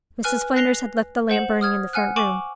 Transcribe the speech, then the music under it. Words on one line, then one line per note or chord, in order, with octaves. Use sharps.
Mrs. Flanders had left the lamp burning in the front room.
B4 G#5 F6 F#6
F#6 A#6 C7 F7 G7
C5 F#5 E7 F#7
D#6 F6 G#6
F#5 G#5 F6 F#6
G#5 C#6 D6 D7 E7 F#7